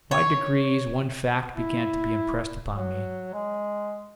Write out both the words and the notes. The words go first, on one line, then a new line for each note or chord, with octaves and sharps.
By degrees one fact began to be impressed upon me.
C#5
E4
F#3
G#3